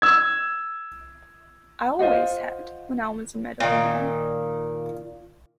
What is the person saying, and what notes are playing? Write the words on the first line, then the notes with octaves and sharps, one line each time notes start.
I always had, when I was a medical man.
E6 G#6
F4 C5 D#5 F#5
A#2 D#3